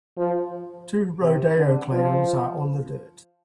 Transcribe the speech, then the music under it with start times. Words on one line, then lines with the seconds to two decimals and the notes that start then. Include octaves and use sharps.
Two rodeo clowns are on the dirt.
0.17 F3
1.22 C3
1.58 D3
1.92 F3